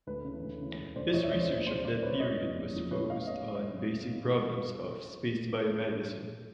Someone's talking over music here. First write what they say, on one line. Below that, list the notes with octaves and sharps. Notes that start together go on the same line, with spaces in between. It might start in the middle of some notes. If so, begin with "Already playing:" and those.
His research of that period was focused on basic problems of space biomedicine.
D2 B4
C#3 E3
D2
C#3 E3
E1
D2 C#3 C5 D5
E1 C#5 D#5
D5 E5
D2 C#3 C#5 D#5
C5 D5
D2
C#3 F#3 C5 D5
D2 C5 D5
C#3 F#3 B4 C#5
F#1 C#5 D#5
E2 C#3 F3
F#1
E2 C#3 F3
C#2 B4 C#5
B2 F#3 D#5 F5
C#5 D#5